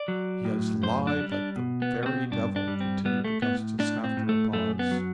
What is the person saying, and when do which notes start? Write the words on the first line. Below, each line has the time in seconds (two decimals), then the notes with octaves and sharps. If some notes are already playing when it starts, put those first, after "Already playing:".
"He has lied like the very devil," continued Augustus, after a pause.
Already playing: D5
0.08 F#3
0.45 A2
0.83 F#2 C5
1.07 D4
1.20 G3
1.32 D4
1.56 B2
1.82 B3
1.94 B2
2.03 B3
2.06 C4
2.31 G2 D4
2.56 D4
2.68 G3
2.81 C4
3.05 G3 B3
3.24 A3
3.42 A2 B3
3.79 A2 D4
4.04 C4
4.17 A2
4.29 A3
4.53 F#2 A3
4.79 B3
4.91 F#3